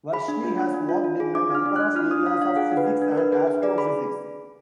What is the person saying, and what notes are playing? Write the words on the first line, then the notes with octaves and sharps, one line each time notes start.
Varshni has worked in a number of areas of physics and astrophysics.
G#4 B5
D4
F4
D4
D4
F4
F4
G#4
D4 D6
D4 F6
D4
D4 F#6
F4 F6
D4 D#6
F4 F5
D4 F5
G#4 F#5
D4
B4
D4
D4
A#4
D4 B4
G#4 B4
D4 B4
G#4 D5
G#4 B5